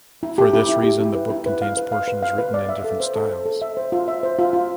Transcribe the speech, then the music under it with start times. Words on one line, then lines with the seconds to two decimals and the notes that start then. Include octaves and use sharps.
For this reason, the book contains portions written in different styles.
0.23 E4
0.38 G4
0.53 E4
0.69 E4
0.84 G4
1.00 E4
1.15 B4
1.30 E4
1.46 B4
1.62 F5
1.77 B4
1.92 F5
2.08 B4
2.23 F5
2.38 B4
2.54 D5
2.69 E5
2.84 A4
3.00 C5
3.16 A4
3.30 C5
3.46 A4
3.62 E5
3.77 C5
3.92 F4
4.08 E5
4.23 C5
4.39 F4
4.53 F4